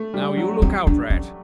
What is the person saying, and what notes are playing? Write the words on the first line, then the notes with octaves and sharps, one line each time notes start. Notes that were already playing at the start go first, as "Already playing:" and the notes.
Now, you look out, Rat!
Already playing: A3
G3
F#3
C4
D4
C#4